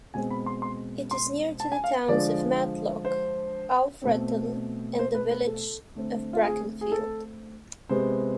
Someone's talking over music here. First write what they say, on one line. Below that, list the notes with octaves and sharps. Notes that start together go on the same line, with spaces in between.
It is near to the towns of Matlock, Alfreton and the village of Brackenfield.
B2 G#3 C4 G#5
B5
C6
C6
C6
A5
G#5
F5
D3 F3 G#3 D5
C5
B2 A3 C4
C5
B4
B4
A4
D3 A3 C4
F4
G#4
G#4
A4
C3 G#3 B3 C5